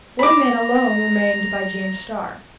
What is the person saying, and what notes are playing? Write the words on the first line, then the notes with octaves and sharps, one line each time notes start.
One man alone remained by James Starr.
A#5 B5 D6